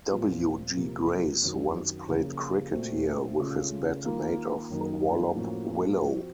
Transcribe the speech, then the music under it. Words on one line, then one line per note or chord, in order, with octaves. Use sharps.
W. G. Grace once played cricket here, with his bat made of Wallop willow.
A#2 F3 C4 F4
C3 F3 A#3
F#2 D#3 F#3 C4
C#3 F3 A#3 F4
A#2 A3 C4 F#4
C#3 A3 C#4 F4
D#3 A#3 F4
F#2 D#3 F#3 A#3 D#4
A2 F3 A#3 C#4 F#4
F3 C4 F#4